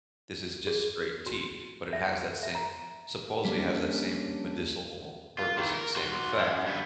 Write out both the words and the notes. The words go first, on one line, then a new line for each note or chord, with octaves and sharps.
This is just straight tea, but it has that same, supposedly has that same medicinal purpose and same effect.
G#4
F#4
E5
E5
A#5
G3 A#3 C#4 D4
F4
D#3 E3
A#4
F#4 C6
F#2
G2 B3